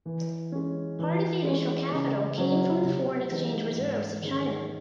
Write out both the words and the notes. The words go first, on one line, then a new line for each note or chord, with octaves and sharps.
Part of the initial capital came from the foreign exchange reserves of China.
E3
G#3 C#4
E3
G#3 C#4
C#3
F#3 C#4
C3
E3 G#3 D#4
G#2
D#3 G#3 C#4